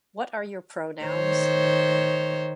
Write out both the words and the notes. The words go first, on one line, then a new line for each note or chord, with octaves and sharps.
What are your pronouns?
D#3 C5 C#5